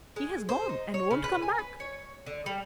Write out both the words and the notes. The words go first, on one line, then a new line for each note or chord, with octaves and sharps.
He has gone, and won't come back!
G#3
C5
D#4
C#5
C#3
B4
G#5
B4
C#5
D3
G3